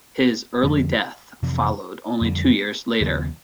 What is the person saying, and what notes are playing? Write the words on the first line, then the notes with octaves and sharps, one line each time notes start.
His early death followed only two years later.
F2 D3 F3 A3
F2 C3 E3
F2 D3 G3
D#2 C#3 F#3 B3